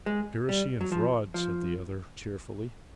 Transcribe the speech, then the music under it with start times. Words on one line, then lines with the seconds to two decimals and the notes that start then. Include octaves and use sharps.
"Conspiracy and fraud," said the other cheerfully.
0.06 G#3
0.49 G3
0.81 F#3
0.92 F3
1.34 F3